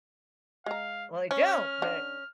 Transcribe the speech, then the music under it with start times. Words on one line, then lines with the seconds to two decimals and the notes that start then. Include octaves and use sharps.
"Well, I don't," but
0.66 G#3 F5 A#5
1.31 C#4 F6
1.82 D3